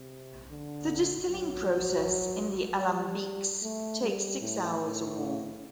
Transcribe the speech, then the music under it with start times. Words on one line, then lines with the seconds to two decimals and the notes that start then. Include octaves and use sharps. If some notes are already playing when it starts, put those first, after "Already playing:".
The distilling process in the "alambiques" takes six hours or more.
Already playing: C3
0.49 D3
1.28 F#3
2.84 G3
3.62 A3
4.01 G3
4.41 A2
4.80 A2